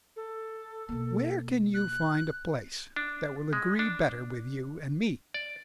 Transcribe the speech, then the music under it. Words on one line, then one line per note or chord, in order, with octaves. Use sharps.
Where can you find a place that will agree better with you and me?
A4
B2 A#3
F#6
D4
G#3
D4
D5